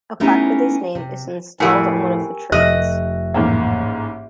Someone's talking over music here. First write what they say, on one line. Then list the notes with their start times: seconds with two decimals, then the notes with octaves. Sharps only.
A plaque with his name is installed on one of the trains.
0.20 A3 B3 C#4 D#4 E4 G4
0.95 C3
1.60 F2 A2 G4 A#4 G#5
2.52 F1 G4 D#5 E5 F#6
3.34 A1 G#2 A#3